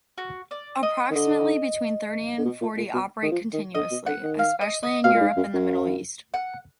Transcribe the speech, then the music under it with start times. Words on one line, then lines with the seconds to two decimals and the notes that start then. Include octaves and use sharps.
Approximately between thirty and forty operate continuously, especially in Europe and the Middle East.
0.18 F#4
0.51 D5
0.83 D#5
1.10 D#3
1.15 D3 D#5
2.38 D3
2.45 B2
2.61 A#2
2.77 A#2
2.94 B2
3.22 D#3
3.32 F3
3.53 D#3
3.75 D3 D#5
3.91 B2
4.06 D3 F#5
4.23 D#3
4.39 F5
4.61 D#5
4.83 D#5
5.04 B2 F5
5.14 A#2
5.21 G#2
5.36 F#2
5.53 F#2
6.34 F#5